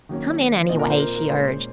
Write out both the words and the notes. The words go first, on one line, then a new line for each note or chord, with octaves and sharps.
"Come in, anyway," she urged.
D#3 F#3 A#3 C#4
A#2 F3 C4 D#5
A#4
C5
A#4
A#4
A#2 G#3 C#4 C5